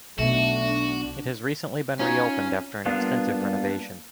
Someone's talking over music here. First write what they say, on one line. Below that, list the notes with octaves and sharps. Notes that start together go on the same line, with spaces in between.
It has recently been reopened after an extensive renovation.
B1 B2 A3 D4 F#4
C#4 D#4 F4 C#5
G3 A#3 B3 D4 F4